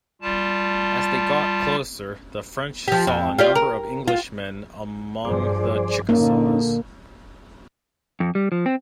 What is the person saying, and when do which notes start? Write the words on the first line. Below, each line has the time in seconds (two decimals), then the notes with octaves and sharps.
As they got closer the French saw a number of Englishmen among the Chickasaws.
0.22 G3 F4 A5
2.88 F3 G4
3.07 F2
3.38 F4 G4 D5
3.55 A#4
4.08 F4
5.25 G2 F3 G#4 C5 D5
6.09 A#2 D3 A#3 C#4 D#4
8.20 F2
8.35 G3
8.52 F3
8.66 C4